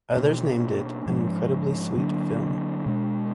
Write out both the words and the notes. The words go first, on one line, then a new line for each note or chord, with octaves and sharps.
Others named it an "incredibly sweet film".
B2 A#3 D4
G#2 F3 G#3 D4
D3 F#3 A#3 D4
B2 G#3 D4